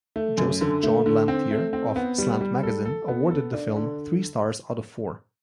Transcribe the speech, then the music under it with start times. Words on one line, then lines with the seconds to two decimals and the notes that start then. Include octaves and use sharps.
Joseph Jon Lanthier of "Slant Magazine" awarded the film three stars out of four.
0.16 A3
0.38 F#2
0.61 D3
0.83 A3
1.06 D3
1.28 C4
1.51 A3
1.73 C4
1.96 B3
2.18 G3
2.41 G3
2.63 A4
2.85 A4
3.08 B3
3.31 A4
3.53 D4
3.76 D3